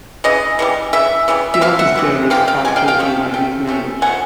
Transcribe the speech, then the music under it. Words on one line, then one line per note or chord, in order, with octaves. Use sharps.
The office-bearers are chosen by these members.
C#3 E3 D#5
C#3 E3 G3
C#3 E3 E5
C#3 E3 G3
E5
C3 E3 F5
E5 F#5
C3 E3 G#3
C3 E3 G#3 F5 G5
F5 G5
C3 E3 G#3 G#5
F5 G5
F5 G5
F3 A3 C#4
F3 A3 G5
F3 A3 C#4
F3 A3 C#4 F#5 G#5